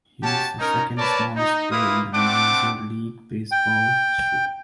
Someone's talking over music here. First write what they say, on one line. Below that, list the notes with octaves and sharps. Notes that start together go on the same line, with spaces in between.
He is the second-smallest player in major league baseball history.
C#4 F#4 G4 A5
C#4 D#4 A#4
A#4 B4 C#5 D5 A5
D#4
A#3 E4 F4 B4 F5 D#6
A3 C4 D4 F#5 D6
G5